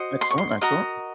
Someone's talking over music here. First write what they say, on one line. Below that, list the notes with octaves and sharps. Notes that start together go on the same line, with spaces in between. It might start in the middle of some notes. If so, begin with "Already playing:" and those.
Excellent, excellent.
Already playing: F#4 C5 D#5
C6
C#6
C6
F#4 A#4 D#5 A#5